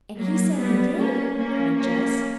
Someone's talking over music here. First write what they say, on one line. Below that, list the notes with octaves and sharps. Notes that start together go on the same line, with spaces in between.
"And he said he did!" cried Jess.
F#3 A#3
G3 B3
A#3 C#4
A#3 C#4
A#3 C#4